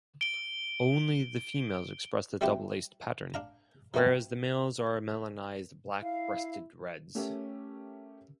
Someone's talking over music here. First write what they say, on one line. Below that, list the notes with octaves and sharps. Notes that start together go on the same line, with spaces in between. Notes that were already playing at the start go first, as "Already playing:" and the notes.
Only the females express the double-laced pattern, whereas the males are melanized black-breasted reds.
D7 G7
G3 A3 C4 E4 F#4 G4
D4 F5 A#5
F3 A3 A#3 C4 F#4
E4 F5
A3 C#4 G4 A#4 C#5 E5